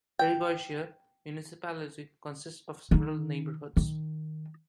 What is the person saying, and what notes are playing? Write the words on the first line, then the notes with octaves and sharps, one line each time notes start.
Errigoitia municipality consists of several neighborhoods.
G5
D#3 D#4
D#3